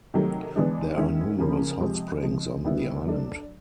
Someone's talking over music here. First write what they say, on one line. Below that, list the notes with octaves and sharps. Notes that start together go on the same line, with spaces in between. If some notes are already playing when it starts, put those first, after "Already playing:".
There are numerous hot springs on the island.
C3 D#3 F#3 A3
E3 G#3 B3 D4
D#3 G#3 C#4 E4
C#3 F3 A#3 C#4
C3 F3 G#3
F3 G#3 C4
D#3 G3 B3 E4
F#3 A3 D4